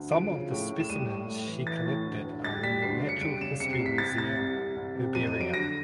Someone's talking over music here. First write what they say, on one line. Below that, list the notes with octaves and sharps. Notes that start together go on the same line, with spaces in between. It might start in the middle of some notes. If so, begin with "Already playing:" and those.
Some of the specimens she collected are in the Natural History Museum herbarium.
Already playing: D2
F3 D7
C#3
A2
A2
E7
G3 D#7
A2
A2
E3
E3 A6
A2
D2
D2
G3 A6
G3 B6
D2 C7
C#3
C#7
G3 D7
C#3 E7
C3 C#7
C7
C2
B6
C3 A6
C3 A6
C2
C2
C2
C3
F2 D#7
D#7
F#3
D7
D3 A#6